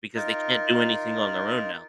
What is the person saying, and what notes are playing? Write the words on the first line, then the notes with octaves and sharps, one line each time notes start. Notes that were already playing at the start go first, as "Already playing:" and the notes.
because they can't do anything on their own now.
D#4 F4 A#4